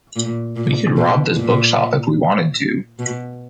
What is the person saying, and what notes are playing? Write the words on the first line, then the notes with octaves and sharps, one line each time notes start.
We could rob this bookshop if we wanted to.
A#2
A#2
B2
A#2
B2